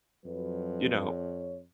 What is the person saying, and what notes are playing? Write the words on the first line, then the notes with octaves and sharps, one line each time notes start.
you know,
F2 F#3 B4
C#5